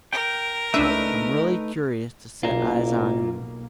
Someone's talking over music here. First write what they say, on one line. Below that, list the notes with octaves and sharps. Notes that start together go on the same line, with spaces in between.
I'm really curious to set eyes on him.
A#4 G5
C#2 A3 D4 D#4 B4 E5
F#1 B1 B2 A#3 F4 A#4